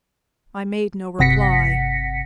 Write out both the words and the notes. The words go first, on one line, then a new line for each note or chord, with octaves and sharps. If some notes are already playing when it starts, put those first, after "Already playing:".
I made no reply.
G1 C3 F#5 A#6 B6 C#7